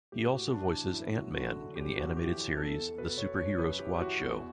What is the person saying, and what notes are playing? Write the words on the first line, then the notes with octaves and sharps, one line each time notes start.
He also voices Ant-Man in the animated series "The Super Hero Squad Show".
A2 G4
A2 F#4
E3 D4
E3
F#2 E4
F#2 F#4
D3 F#4
D3
F#2 G4
F#2 F#4
E3 G4
E3
E2 A4
E2
B2 B4
B2 C#5
F#2 C#5
F#2 B4
E3 G4
E3 F#4
E2